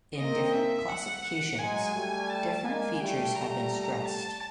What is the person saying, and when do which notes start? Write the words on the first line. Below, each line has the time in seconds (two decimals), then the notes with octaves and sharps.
In different classifications, different features have been stressed.
0.17 A#3 C4 D#5
0.53 E5
0.88 F#5
1.59 F#3 G#3 G#5
1.94 G3 A3
2.29 A5
2.64 G#3 A#3 G#5
3.00 G3 A3 G5
3.35 G3 A3 A#5
4.06 A5